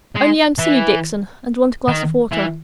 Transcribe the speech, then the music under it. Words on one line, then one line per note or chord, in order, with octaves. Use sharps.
Only I'm silly, Dixon, and want a glass of water.
G#3
E3
D#3
E3